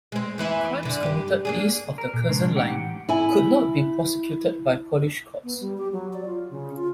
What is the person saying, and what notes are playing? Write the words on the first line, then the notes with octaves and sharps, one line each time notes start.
Crimes committed east of the Curzon line could not be prosecuted by Polish courts.
G#3 C4
E2 E3 E4
F#2 D3
G2 G4
A#3 D4 G#4
A#4
A#2
C3 G#3 C#4 D4
A2 E3 D#4 G4 F#5 G5
E4 G#5
B3
G3
G4
F#3
D5
F4
C#3
F4